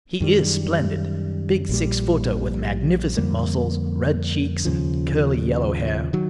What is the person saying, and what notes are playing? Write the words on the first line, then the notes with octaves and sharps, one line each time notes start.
He is splendid: big six-footer with magnificent muscles, red cheeks, and curly yellow hair.
F#2 D#3 G3
A#1 A#2 G3
F2 D3 G3 A#3
D#2 C#3 F3
D#3 F#3